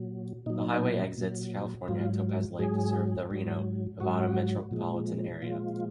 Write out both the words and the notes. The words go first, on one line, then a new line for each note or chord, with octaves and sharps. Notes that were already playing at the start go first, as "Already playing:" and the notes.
The highway exits California at Topaz Lake to serve the Reno, Nevada metropolitan area.
Already playing: A#2 F#3
A#2 F#3 D#4
A#2 F#3
G#2 F#3 F4
G#2 F#3 G#4
G#2 F#3
G#2 F#3 F#4
A#2 F3 G#3
A#2 F3 G#3 F4